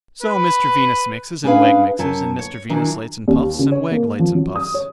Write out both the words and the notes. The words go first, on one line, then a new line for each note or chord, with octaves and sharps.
So, Mr Venus mixes, and Wegg mixes; and Mr Venus lights and puffs, and Wegg lights and puffs.
B4
C#4 D4 G#4 B4 F5
F#2 C#5 A5
C#5
D#3 E3 F#3 D4
D#2
C#3
C#5
A#3
F3
F#3
D#6
C#5